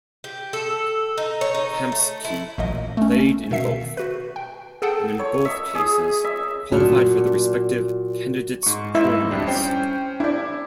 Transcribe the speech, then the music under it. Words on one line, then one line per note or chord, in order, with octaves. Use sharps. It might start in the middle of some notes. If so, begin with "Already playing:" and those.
Kamsky played in both, and in both cases qualified for the respective Candidates Tournaments.
G4
A4
D#4
C#5
D#4
A3
E4
A1 A#2 F#3 D#5
A3 C#4
B2 D#3 E5 C7
F#4 B4
G5
G#4 A4 F#5 G5 A5
C#5
E5
G#4
E5
A#2 D4 F#4
G#2 C#6
G#2 E4 E5
F2 G3 D4
C#4 C5 G5
D4 E4 D5